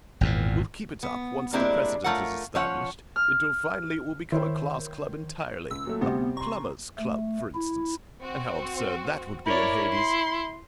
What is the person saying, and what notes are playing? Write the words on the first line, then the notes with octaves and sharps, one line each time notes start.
We'll keep it up, once the precedent is established, until finally it will become a class club entirely--a Plumbers' Club, for instance--and how absurd that would be in Hades!
G#1 E2 A#2
B3
G3 G#3 A#3 C4 D4 E4
A3 F4 A#4 C#5 F#5
F3 C#4 C#5 F#5
F6
D#3 E4 C5 C#5
C#2 E6
A#2 F#3 A3
D2 C3 G3 B3
A#5 C6 C#6
A3
E4
C4 F#4
E4 A#4 C#5 D5
C6